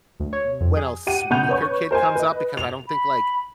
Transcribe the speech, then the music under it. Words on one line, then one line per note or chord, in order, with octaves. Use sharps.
when a s weaker kid comes up because I don't think, like,
D2
C#5
F2
G#4
G4 F#5 D#7
F#1 B2 F#5 B5 G6 F7
B4 C#5 C#6
A#4 C5 D#5 G#5
B4 D#5
F7
B5